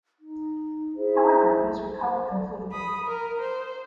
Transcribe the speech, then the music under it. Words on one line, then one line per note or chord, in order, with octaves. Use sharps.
However it is recovered completely.
D#4
E4 G#4 C5 E5
C5
A4 D5
B5 D#6
A#4
C5